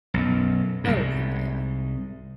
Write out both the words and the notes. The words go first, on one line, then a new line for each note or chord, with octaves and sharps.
Oh, yeah, yeah.
B1 F#2
C2 G#2